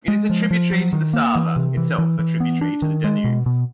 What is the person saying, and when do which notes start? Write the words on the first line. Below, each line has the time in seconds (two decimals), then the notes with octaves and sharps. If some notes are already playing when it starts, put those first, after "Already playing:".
It is a tributary to the Sava, itself a tributary to the Danube.
0.08 G#3
0.30 F3
0.51 F3
0.71 F#3
0.93 D#3
1.13 A#3
1.35 E3
1.56 C3
1.77 E3
1.98 E3
2.19 E3
2.40 B3
2.61 D4
2.82 D#3
3.04 G#3
3.24 B2
3.46 B2